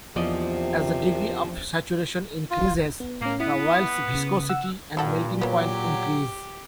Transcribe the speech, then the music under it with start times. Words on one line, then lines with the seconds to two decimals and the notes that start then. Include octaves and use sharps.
As the degree of saturation increases, the oil's viscosity and melting point increase.
0.16 A#1 E2 C3 F3 D5 D#5
2.51 F4
3.00 B3
3.21 A2 A#3 C#4
3.40 B3 E4
4.15 C#3
4.49 F#5 E6
4.97 G2 A#2 F#3 A4 F#5
5.41 F#3 A#3 B3 G4